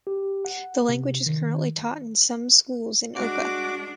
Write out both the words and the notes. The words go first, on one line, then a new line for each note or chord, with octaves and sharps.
The language is currently taught in some schools in Oka.
G4
F#5
C3
D#3
G#3 D4 F#4 D6